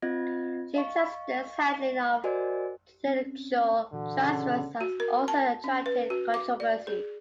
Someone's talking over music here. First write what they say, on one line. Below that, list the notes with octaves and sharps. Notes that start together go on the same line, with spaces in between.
Chief Justice's handling of judicial transfers has also attracted controversy.
C4 F4 D#5 G#6 A#6
D#5 F5 C#6
F#4 A#4 C5 D5 D#5 G#5
C4 C#4
A#2 D3 E3 F#4
C#3
F#4
A#4
A5
C#4
B4
F#4
D6
D5
G#4